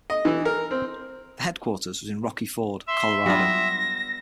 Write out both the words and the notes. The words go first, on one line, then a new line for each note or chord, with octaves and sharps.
The headquarters was in Rocky Ford, Colorado.
D#5
E3
A#4
C4
E5 C6
F#3 G3 B3 D4 F4 A#6